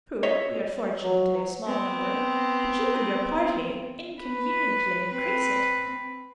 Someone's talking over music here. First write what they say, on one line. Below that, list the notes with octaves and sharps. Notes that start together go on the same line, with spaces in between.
True, we are fortunately a small number, but you and your party inconveniently increase it.
C#5 D#5 E5
F#3
B3 C4
B4
C4 B4